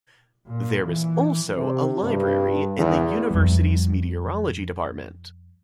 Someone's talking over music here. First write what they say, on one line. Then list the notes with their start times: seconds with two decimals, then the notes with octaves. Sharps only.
There is also a library in the University's Meteorology department.
0.47 A#2
0.84 E3
1.56 C3
2.02 G2
2.78 E2
3.31 F2 G3